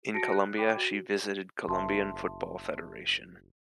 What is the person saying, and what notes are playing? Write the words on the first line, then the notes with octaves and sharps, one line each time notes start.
In Colombia, she visited Colombian Football Federation.
F#4 A5 A#6 C#7 D7
F#6
D5 G5 B5 D6
F#4
F#1 E5 A5 C6